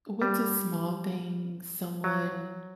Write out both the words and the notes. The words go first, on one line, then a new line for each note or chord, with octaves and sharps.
what's a small thing someone,
G3
F#3